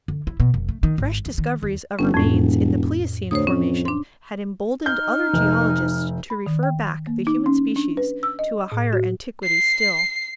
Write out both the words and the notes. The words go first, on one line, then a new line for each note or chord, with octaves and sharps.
Fresh discoveries of remains in the pleiocene formation had emboldened other geologists to refer back the human species to a higher antiquity still.
D3
E4
B2
F1
A3
D#3
G#1
E2
D#3
D#2
G1 C#4
E1 F2 A2
D2 C5 C#5 D#6
F2 C#4
D4 C6
D#4 F6 G6
F1
B5
D#3
G5
A#3
D#4
C#4
D4
B4
E6
D#5
A2
F#4
C7